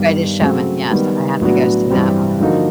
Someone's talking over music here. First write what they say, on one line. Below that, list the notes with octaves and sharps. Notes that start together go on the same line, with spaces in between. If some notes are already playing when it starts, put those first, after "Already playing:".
The Greatest Showman, yes, I have to go see that one.
Already playing: G2 D#3 G3 B3
C#3 F#3 A3 C4
D#3 G3 B3
A2 F#3 B3 D4 F#4
G2 E3 G3 C4
D3 F3 A#3 D#4 F#4